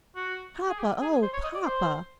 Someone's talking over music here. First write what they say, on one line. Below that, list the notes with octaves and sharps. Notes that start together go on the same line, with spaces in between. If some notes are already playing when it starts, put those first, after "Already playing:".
"Papa--oh, papa!"
F#4
G#4
G4
G#4
C5
C#5
D#5
D5
C5